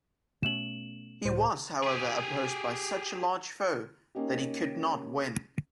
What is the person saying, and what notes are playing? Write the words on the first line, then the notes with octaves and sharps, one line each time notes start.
He was, however, opposed by such a large foe that he could not win.
B2 A3 C#4 E7 F#7
C#2 A2 C5
G4 G#4
A#3 C#4 D#4 G4